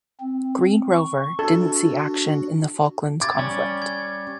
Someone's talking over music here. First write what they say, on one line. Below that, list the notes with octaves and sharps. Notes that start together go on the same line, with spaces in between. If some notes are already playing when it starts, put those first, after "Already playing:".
"Green Rover" didn't see action in the Falklands Conflict.
C4
C#6
D4 F#4 A4
D6 G#6 A6
G3 C#4
G#6